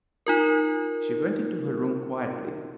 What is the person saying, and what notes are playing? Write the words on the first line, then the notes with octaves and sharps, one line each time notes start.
She went into her room quietly.
D#4 F4 A#4